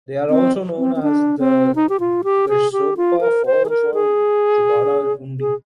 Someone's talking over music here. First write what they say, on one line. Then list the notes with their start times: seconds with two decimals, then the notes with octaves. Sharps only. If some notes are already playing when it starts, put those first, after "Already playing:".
They are also known as the Gersoppa Falls or Jogada Gundi.
0.30 C4
0.78 C4
0.96 C4
1.03 D4
1.39 C4
1.76 D#4
1.89 G4
2.00 F4
2.24 G4
2.49 G#4
2.72 G4
2.97 F4
3.21 A#4
3.46 C5
3.65 G#4
3.69 A#4
3.94 G#4
5.40 G#4